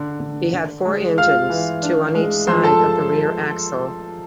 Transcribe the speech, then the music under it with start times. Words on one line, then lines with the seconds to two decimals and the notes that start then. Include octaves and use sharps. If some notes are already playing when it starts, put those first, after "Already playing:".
It had four engines, two on each side of the rear axle.
Already playing: D3
0.20 D3
0.53 D3
0.85 G#3
1.18 F4 F5 F6
1.50 E3
1.83 D4
2.15 G#3
2.47 F3 C5 C6
2.63 A4 A5